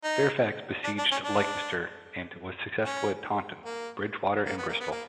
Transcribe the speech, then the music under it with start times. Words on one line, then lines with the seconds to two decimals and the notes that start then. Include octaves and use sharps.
Fairfax besieged Leicester, and was successful at Taunton, Bridgwater and Bristol.
0.04 D#4
0.84 D4
0.98 D4
1.11 C#4
1.24 D4
2.85 C#4
3.65 A#3
4.46 A#3
4.57 B3
4.69 A#3
4.80 B3
4.92 A#3